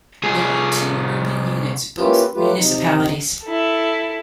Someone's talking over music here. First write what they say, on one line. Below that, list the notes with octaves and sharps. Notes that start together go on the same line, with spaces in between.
There are two urban units, both municipalities.
C2 G#4
A#3 C#4 E4 F4 G4 B4
F#3 A3 F4 G4 B4
C3 D#4
E4 A4